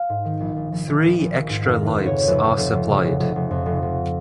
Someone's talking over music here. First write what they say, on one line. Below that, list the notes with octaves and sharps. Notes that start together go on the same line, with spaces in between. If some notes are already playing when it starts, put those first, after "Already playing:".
Three extra lives are supplied.
Already playing: F5
G#2
D#3
A#1
A#1
A#1
A#1
A#1
A#1
D#3
G#2
F2 A#4
F1
B4
F1
C#3 C#5
F1 B4
F1
F1
F1
C#3
F1
F1
F1
F2
F1
F1